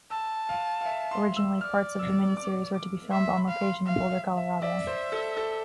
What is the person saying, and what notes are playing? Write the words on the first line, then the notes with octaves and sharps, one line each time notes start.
Originally, parts of the miniseries were to be filmed on location in Boulder, Colorado.
A5 E6
F5
F5
E5
C6
E6
D5 F6
E6
D6
D6
E5 C6
B5
F5
C6
E5 F5
E5
E5
D5 E5
C5
A4
A4